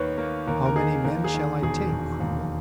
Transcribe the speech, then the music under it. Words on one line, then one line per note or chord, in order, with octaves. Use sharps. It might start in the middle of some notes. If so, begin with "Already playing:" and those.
"How many men shall I take, colonel?"
Already playing: D#2 D#3 D#4 B4 C#5
A#3
D#2 A#4
A#4
D#4 G#4
D#2 A#4
G#4
D#3
E1 G#4
E1
D#2